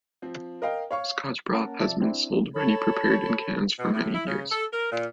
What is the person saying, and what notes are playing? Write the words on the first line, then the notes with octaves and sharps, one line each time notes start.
Scotch broth has been sold ready-prepared in cans for many years.
F3 C4
A#4 D#5 F5 G5
C#5 F5 C#6
A#3 C#4 A#4 F#5 A5
C3 F3 D5 E5 A5
C4 D4 E4
A4 C#5 A5 B5
B2
A2
E4
C#3
A4
A#4
A#2